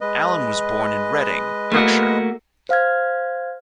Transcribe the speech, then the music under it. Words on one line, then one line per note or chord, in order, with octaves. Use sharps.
Allen was born in Reading, Berkshire.
G#3 B4 D#5
A3 A#3 F#4
C5 F5 F6 G#6